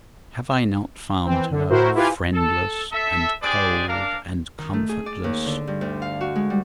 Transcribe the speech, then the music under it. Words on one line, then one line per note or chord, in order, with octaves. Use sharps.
Have I not found her friendless, and cold, and comfortless?
E3 C4
D3
A2 E4 F#4 A#4 C5
E4 F4 G4 B4 F5 G#5
A4
A4 E5
D4 G4 G#4 C5 D5 G#5
D4 A#4 F5
D#3
A3
G#4
D5
D#2
D3
G2
D2
F5
F#4
G#3
G3